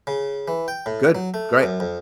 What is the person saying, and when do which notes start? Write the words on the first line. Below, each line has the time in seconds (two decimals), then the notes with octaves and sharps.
Good. Great.
0.07 C#3
0.48 E3
0.68 G5
0.86 A2
1.15 F#3
1.34 A3
1.63 F#2
1.80 F2